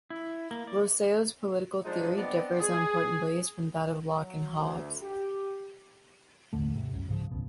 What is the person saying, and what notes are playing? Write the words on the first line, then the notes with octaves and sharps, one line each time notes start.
Rousseau's political theory differs in important ways from that of Locke and Hobbes.
E4
A#3
D5
F3 G3 G#3 D4 D#4
B3 C4 D4 D5 D#5
G#4
F#3
D2
G4
A1 D#2 D3 A3
G#2 C3
C#2 F#2
G#2 C#3 F3
D1 C#2 B2